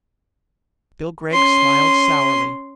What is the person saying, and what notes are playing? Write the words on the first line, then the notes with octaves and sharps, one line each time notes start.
Bill Gregg smiled sourly.
C#4 C6